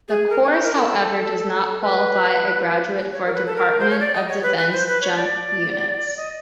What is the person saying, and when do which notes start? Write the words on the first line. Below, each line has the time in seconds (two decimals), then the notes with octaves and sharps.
The course, however, does not qualify a graduate for Department of Defense jump units.
0.08 G#4
0.30 A#4
0.43 C#5
0.52 C5
0.63 A#4
0.74 A#4
0.78 A4
1.82 B4
3.12 C#5
3.26 A#4
3.34 B4
3.46 A4
3.56 A#4
3.80 C5
3.90 C#5
4.00 D5
4.14 D#5
4.29 C#5
4.43 B4
4.58 B4
4.72 C5
4.87 B4
5.01 C#5
5.16 D5
6.17 D#5